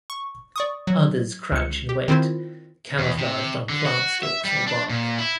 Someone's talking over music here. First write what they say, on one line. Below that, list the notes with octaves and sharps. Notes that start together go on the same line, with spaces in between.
Others crouch in wait, camouflaged on plant stalks or bark.
C#6
D5 C#6 D#6
F#3
C#2 C#7
G4
D#3 C4 E4 F4 C5
E2
C3
D3
F#4
E5
G3
D4
A#2
E4